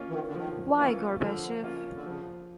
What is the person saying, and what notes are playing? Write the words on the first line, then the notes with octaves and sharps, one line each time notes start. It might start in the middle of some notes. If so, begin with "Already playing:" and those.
Why Gorbachev?
Already playing: A#3 C#4 F4
E3
D#3
D3
D#3 F3
E3 A#3 C#4 F4
D3 F3
A#3 C#4 F4
D3
C#3 F3